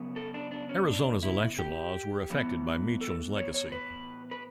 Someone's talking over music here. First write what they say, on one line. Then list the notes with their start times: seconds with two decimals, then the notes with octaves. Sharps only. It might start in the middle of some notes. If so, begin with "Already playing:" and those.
Arizona's election laws were affected by Mecham's legacy.
Already playing: F#2 C#3 B3
0.16 A4
0.34 D4
0.51 D4
0.69 C#4
0.88 D4
1.23 E4
1.59 G4
2.30 A2 E3 B3
3.01 A4
3.37 C#5
3.54 C#5
3.72 B4
4.31 B4